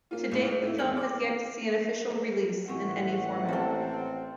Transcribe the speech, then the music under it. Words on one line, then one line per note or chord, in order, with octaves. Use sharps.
To date, the film has yet to see an official release in any format.
A#3 C#4 F4
C#2 A2
A3 E4
E2 F6 F#7
D6
A1 C4 C#4 F#5
A#3 C4 A4